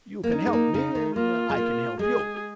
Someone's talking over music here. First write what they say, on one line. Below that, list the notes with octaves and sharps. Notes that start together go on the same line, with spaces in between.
You can help me and I can help you.
A#3
C#4 D#4
G#3
A#3
C#3
D#3
A#3 F4
G#3
A#3
G#3 G#4